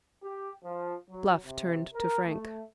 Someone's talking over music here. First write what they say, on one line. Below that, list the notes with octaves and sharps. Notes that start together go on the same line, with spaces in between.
Bluff turned to Frank.
G4
F3
F#3
C3
A#4
A3